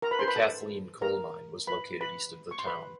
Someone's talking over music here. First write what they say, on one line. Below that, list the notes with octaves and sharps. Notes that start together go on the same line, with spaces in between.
The Kathleen Coal Mine was located east of the town.
A#4 A#5
B4 B5
C5 C6
B4 B5
A4 A5
A#4 A#5
B4 B5
B4 B5
C#6
C6
B4 B5